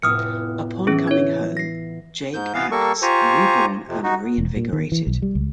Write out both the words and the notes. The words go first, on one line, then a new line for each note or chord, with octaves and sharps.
Upon coming home, Jake acts reborn and reinvigorated.
F1 A2 B3 D#6 F6 C#7
E3 C#4 G#4 E6
C#5 G#6
A#6 C7
G#2 G6
E3 B3 F5
G3 A#3 A4 A#4 C#6
F4 G4 C5 G#5 A#5 C#6
F2 C3
D#4 F#4
E1
A#2
D#3
E3
B1
G3
C#2